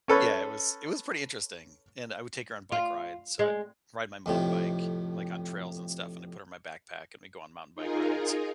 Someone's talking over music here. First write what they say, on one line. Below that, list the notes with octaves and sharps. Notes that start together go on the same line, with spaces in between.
Yeah, it was it was pretty interesting, and I would take her on bike rides, so, I'd ride my mountain bike, like, on trails and stuff, and I'd put her in my backpack, and we'd go on mountain bike rides.
C#4 A4 B4 C#5
F4
G#3
F2 A2 C3
D#4 F4 G#4 A#4